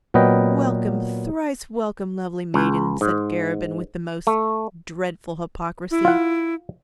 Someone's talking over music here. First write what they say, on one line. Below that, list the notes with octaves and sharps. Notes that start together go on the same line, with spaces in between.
"Welcome, thrice welcome, lovely maiden," said Garabin with the most dreadful hypocrisy.
A#2 F#3 B3 B4 D#5 G5
C#2
G#2
A3
E4
F4 F#5